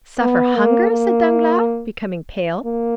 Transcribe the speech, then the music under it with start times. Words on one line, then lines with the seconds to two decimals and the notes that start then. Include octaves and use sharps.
"Suffer hunger?" said Danglars, becoming pale.
0.21 B3
0.56 A#3
0.91 A#3
2.65 A#3